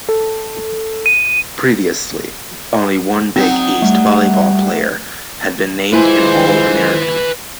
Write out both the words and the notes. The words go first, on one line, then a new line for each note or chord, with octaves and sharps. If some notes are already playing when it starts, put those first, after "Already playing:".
Previously only one Big East volleyball player had been named an All-American.
A4
D#7
F#3 C4 D#4
G3 A3
G#3 E4 F4 B4 C5 G#5